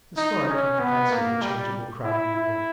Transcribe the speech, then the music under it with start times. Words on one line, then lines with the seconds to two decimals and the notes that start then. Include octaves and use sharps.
The story caught the fancy of the changeable crowd in the room.
0.17 D#4
0.49 C#4
0.79 B3
1.11 A#3
1.42 G3
2.04 E4
2.35 E4